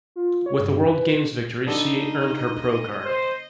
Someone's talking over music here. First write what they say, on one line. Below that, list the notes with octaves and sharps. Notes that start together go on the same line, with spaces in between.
With the World Games victory she earned her pro card.
F4
C#5
G2
B4
D3 B3 D#4 A4 D#5
C5